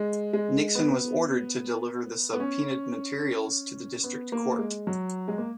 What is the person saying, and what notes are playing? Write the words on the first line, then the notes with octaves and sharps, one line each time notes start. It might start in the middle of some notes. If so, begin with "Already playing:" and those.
Nixon was ordered to deliver the subpoenaed materials to the District Court.
Already playing: G#3
G#3
B3
B3
C#4
B3
A#3
G#3
F#3
G#3
A#3